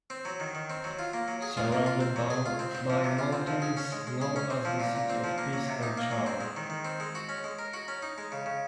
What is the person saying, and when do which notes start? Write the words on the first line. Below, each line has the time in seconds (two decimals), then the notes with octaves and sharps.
Surrounded by mountains known as the city of peace and charm.
0.10 C4
0.25 F#3
0.40 D#3
0.55 D#3
0.70 C4
0.84 F#3
0.99 F4
1.13 A#3
1.28 F#3
1.42 G#4
1.57 F4
1.72 A#3
1.86 F4
2.00 C4
2.16 F#3
2.30 G#4
2.46 F4
2.59 C4
2.75 C4
2.90 F3
3.04 C3
3.19 F4
3.33 C4
3.47 F3
3.62 G#4
3.77 C#4
3.92 G#3
4.07 G#3
4.22 G#4
4.36 C#4
4.50 C4
4.65 F3
4.80 A#2
4.95 A#2
5.10 C4
5.24 F3
5.38 A#3
5.53 F#3
5.68 C3
5.83 D#4
5.98 A#3
6.11 F#3
6.26 C4
6.41 G#3
6.56 D#3
6.70 D#3
6.85 C4
7.00 G#3
7.15 F#4
7.29 C#4
7.44 G#3
7.59 A#4
7.74 F#4
7.88 C#4
8.02 D#4
8.18 G#3
8.32 C#3
8.46 C#3